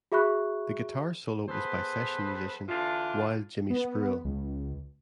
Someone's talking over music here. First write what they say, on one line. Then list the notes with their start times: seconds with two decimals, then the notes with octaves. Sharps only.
The guitar solo is by session musician Wild Jimmy Spruill.
0.12 F#4 G#4 E5 B5 C#6 F#6
1.49 B3 G#4 A4 B4 C5
2.69 D3 E3 D4 F4
3.70 B3
4.25 C#2